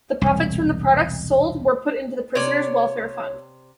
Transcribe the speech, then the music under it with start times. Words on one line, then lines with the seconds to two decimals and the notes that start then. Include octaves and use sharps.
The profits from the products sold were put into the prisoners' welfare fund.
0.21 E1 C2
2.35 C3 C#5 D5